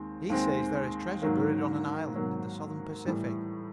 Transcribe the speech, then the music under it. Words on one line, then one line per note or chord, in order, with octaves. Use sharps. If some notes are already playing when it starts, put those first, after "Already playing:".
"He says there is treasure buried on an island in the Southern Pacific."
Already playing: D#2 D#3 G#3 C4
D#2 D#3 G#3 C4
G#2 D#3 F#3 A#3
G#2 D#3 F#3 A#3
A2 E3 G3